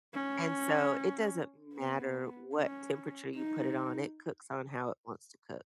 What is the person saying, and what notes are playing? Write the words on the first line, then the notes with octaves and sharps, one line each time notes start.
and so, it doesn't matter what temperature you put it on. It cooks on how it wants to cook.
C#4
B3
C#4
D#4